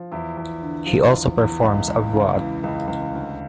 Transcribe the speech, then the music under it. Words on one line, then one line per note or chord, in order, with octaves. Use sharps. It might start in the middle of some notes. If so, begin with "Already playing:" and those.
He also performs abroad.
Already playing: F3
E2 E4
E2
D3
F3
E2
E2
C#2
C#2
C#3
E3
C#2
C#2
D2